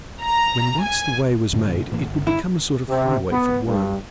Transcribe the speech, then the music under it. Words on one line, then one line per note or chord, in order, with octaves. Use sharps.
When once the way was made it would become a sort of highway for the Worm.
A#5
G#5
F#2 A#2 D3
A2 E3 A#3
G1
E4
C3
B3
G2